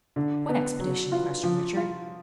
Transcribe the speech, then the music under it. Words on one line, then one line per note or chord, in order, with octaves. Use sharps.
"What expedition?" questioned Richard.
D3
B3
F#3
F4
F3
F4